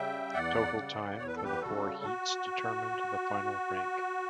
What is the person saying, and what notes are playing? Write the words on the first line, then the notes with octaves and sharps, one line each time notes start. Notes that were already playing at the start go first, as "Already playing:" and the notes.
Total time for the four heats determined the final rank.
Already playing: C#3 G3 E5 G5
E2 D5 F#5
C#3 G3
E2 C#5
B4
A4
G4 B4
C#3 G3 F#4 A4
F#4